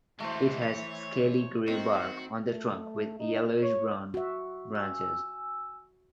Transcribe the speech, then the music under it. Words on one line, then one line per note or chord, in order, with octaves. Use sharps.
It has scaly grey bark on the trunk with yellowish-brown branches.
E3 G#3 A3 F#4 C5
C#5
D#3 C4 F#4
A3
D#4
C#5
F#4 E5
G#5 E6